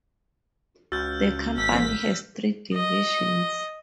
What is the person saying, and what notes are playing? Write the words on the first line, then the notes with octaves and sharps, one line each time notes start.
The company has three divisions.
C#2 F#4 E6 F6 G6 A6
G#1 E6 G6 B6
D#5